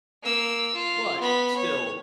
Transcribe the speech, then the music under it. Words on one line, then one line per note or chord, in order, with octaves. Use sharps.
but still,
A#3 E6
F4
B3 B5
C#5